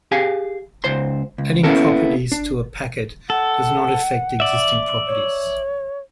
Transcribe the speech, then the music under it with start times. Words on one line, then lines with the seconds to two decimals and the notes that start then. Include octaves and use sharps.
Adding properties to a packet does not affect existing properties.
0.11 G4 G#4 F5 G#5
0.84 C#2 C5 C6
1.38 C#2
1.63 A#3 B3 C#4 E4 A4 A#4
2.32 D4
3.30 A4 F#5
4.40 D5 E5
5.08 C#5